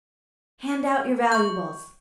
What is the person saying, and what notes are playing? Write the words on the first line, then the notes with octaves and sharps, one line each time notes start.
"Hand out your valuables!"
C#6 G6